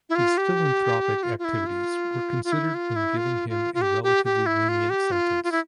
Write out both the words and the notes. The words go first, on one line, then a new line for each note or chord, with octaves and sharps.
His philanthropic activities were considered when giving him a relatively lenient sentence.
E4
F4
G4
F4
F4
E4
F4
F4
E4
F4
E4
F4
F4
F4
G4
G4
G4
E4
F4
G4
F4
F4
E4